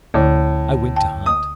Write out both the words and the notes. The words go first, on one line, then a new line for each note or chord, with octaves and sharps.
I went to hunt.
D2 A2 D3
G5 A5
D#6